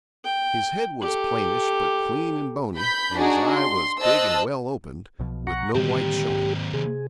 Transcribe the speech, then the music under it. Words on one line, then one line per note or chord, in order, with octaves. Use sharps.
His head was plainish, but clean and bony, and his eye was big and well opened, with no white showing.
G5
G4 A4
B5 G6 B6
D4 D#4 F#4 G#4 D5
C6
C5 D#5 A5 E6 F#6
B1 B2 F3
F#5 A#5 C#6
D#2 A2 D3 G3 C4 G4
G#2
C3 G#4